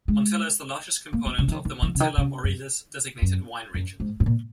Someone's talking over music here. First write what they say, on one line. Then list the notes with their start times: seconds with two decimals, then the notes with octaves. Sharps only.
Montilla is the largest component of the Montilla-Moriles designated wine region.
0.08 G#3
1.13 A#3
1.26 B3
1.39 C#3
1.48 E3
1.52 D#3
1.65 D#3
1.82 E3
1.95 C#3
2.00 D#3
2.18 C#3
2.44 F#2
3.22 F#2
3.74 F#2
4.00 G#2
4.20 G#2
4.26 A#2